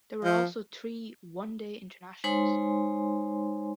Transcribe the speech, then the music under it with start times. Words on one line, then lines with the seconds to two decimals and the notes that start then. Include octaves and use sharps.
There were also three "one-day internationals".
0.24 F3
2.24 G#3 D#4 C5 C#5 G#5 C6